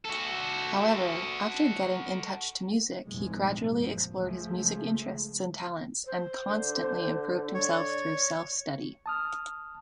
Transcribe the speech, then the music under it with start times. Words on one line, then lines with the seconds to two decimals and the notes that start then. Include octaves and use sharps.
However, after getting in touch to music, he gradually explored his music interests and talents, and constantly improved himself through self-study.
0.05 F#4 A4
3.08 F1 A#1 E2 G#2 C3 G#3
3.68 F#2 A#2 F3
4.16 C#2 F3 G#3 A3
6.06 C5
6.49 D3
7.54 C#5 D5
9.06 A5 D#6 F6